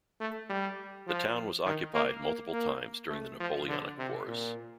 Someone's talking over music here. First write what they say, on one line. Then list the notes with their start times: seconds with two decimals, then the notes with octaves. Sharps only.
The town was occupied multiple times during the Napoleonic Wars.
0.20 A3
0.49 G3
1.07 F3
1.66 D#3
1.94 A#3
2.24 A#3
2.53 A#3
3.10 A3
3.40 F3
3.68 D3
3.98 C3
4.27 A#2